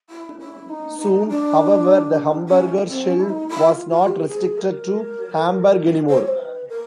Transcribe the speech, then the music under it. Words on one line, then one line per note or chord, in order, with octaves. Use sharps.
Soon, however, the "Hamburger Schule" was not restricted to Hamburg anymore.
E4
E4
D#4
D#4
D4
C#4
C4
C#4
E4
D#4
E4
F4
F4
G4
G#4
A#4
C5
C#5
C5
B4
A#4